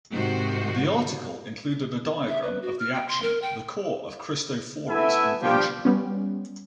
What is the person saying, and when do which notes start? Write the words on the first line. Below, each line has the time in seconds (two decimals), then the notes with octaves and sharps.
The article included a diagram of the action, the core of Cristofori's invention.
0.12 G#2 C3 D#3 F#4 C5
2.28 E5
2.43 B4
2.62 F#4
2.79 F6
2.94 G5
3.08 C6
3.22 A#4
3.42 G5
4.88 A3 B3 E4 A4 E5 G#5
5.41 F3 G3 D4 F4 G4
5.85 G3 B3 C#4